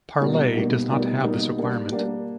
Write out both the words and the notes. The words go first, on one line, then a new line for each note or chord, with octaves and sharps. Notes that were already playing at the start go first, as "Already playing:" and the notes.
Parlay does not have this requirement.
B2 G3 A#3 D#4
B2 G3 A#3 D#4
B2 G3 A#3 D#4
B2 G3 A#3 D#4
G3 A#3 D4
G3 A#3 D4